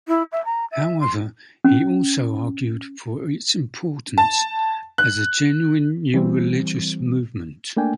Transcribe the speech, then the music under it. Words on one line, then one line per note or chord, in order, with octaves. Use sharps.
However, he also argued for its importance as a genuine new religious movement.
E4
E5
A#5
E5
C6
C#4
A5
F#6
E3 G3 C4
A3 A#3 D4 G5 G#5